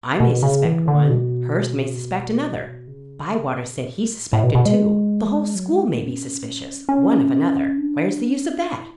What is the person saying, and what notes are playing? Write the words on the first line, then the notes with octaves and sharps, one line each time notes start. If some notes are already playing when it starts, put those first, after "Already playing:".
"I may suspect one; Hurst may suspect another; Bywater said he suspected two; the whole school may be suspicious, one of another. Where's the use of that?"
B2
C#3
E3
D3
B2
C#3
B2
A2
A2
B2
B2
G#3
F#3
G#3
A3
C#4
C#4
D4
E4